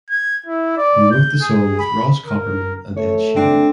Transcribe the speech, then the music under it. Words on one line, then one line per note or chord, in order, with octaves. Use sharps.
He wrote the song with Ross Copperman and Ed Sheeran.
G#6
E4
D5
G6
G#4
B5
A#4
A3 C#5
C4 D4